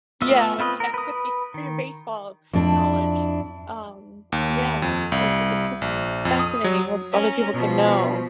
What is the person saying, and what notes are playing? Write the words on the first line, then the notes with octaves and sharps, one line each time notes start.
yeah, exactly, or your baseball knowledge. Um yeah, it's it's just fascinating what other people can know
A3 B3 F4 D#5 E5
C4 F4 B4 D#5
A#4
B4 D#6
D#3
F2 D4 E4
D#2
F2
C2
A#1
F2
D#6
F#3
C#4 A#4
B2 F3